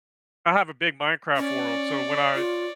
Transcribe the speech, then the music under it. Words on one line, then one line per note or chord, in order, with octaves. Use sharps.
I have a big Minecraft world, so when I
C#4 C#5 D5
F4